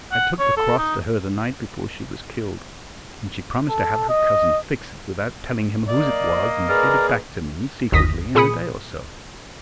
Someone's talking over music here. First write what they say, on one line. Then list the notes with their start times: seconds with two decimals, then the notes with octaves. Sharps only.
I took the cross to her the night before she was killed, and she promised to have her cousin fix it without telling him whose it was and get it back to me, secretly, in a day or so.
0.12 F#5
0.39 C#5
0.57 A4
0.78 D#4
3.69 A4
4.09 D#5
5.88 A#3 D5 D#5
6.69 G#4 A#4 B4 D5 A#5
7.92 G1 D#2 D#6 A#6 B6
8.35 A#2 G#4 B5 D#6 C#7